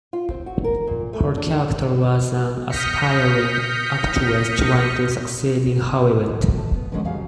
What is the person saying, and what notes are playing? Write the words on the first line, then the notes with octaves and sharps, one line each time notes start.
Her character was an aspiring actress trying to succeed in Hollywood.
F4
C4
F#4
A#4
A#2
A3
D4
D#6 F6 G6 A#6 B6 C#7
D#2 F#3
F3 F#3 A3
A5
B3
D3 D#3 F3 F#3 G#3 C#4
F2 C#3 F#3 G3 F5